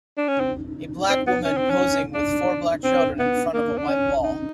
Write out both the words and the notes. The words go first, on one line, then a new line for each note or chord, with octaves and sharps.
A black woman posing with four black children in front of a white wall.
D4
C#4
C4
C4
B3
C#4
C4
C#4
D4
C4
B3
A#3
D4
C#4
D#4